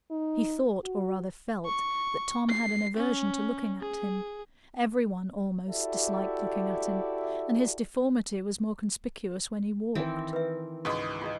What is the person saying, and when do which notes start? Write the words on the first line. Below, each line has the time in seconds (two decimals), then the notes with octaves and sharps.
He thought, or rather felt, that Tom had an aversion to looking at him; every one, almost, disliked looking at him; and his deformity was more conspicuous when he walked.
0.10 D#4
0.84 F#4
1.66 C#6
2.50 C7
2.97 C#4
3.81 G#4
5.69 E4 F#4 G4 A4 D5 E5
9.95 D#3 E3 C4
10.33 B4 E5
10.85 C#2 G#2 F#4 B4 D#5 C#6 D#6
11.22 F4 G#4 D#5